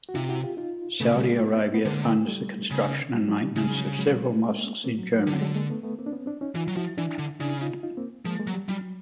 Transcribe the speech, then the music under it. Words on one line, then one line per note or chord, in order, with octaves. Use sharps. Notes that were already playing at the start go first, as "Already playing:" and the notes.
Saudi Arabia funds the construction and maintenance of several mosques in Germany.
F#4
C3 D#4 F4
E4 F#4
F4 G4
D#4 F4
C#3 A3 B3
G3 A3
G#3 A#3
A3 B3
B3
D3 G#3 A#3
G3 A3
C#3
G3
F#3 G#3
G3
C#3 G3
F#3 G#3
G3
F#3 G#3
G#3 A#3
A#3 C4
F#3
F#3
D3 F#3 G#3
F#3 G#3
G#3 A#3
A3 B3
A3 B3
A#3 C4
D4
B3 C#4
C4 D4
C#4 D#4
E3 D#4 F4
F#3
F3 E4 F#4
E3 D4 E4
D3
C#3 D4 E4
D#4 F4
D#4 F4
A#3 C4
F3 G#3 A#3
G#3 A#3
F#3
G3
F#3 G3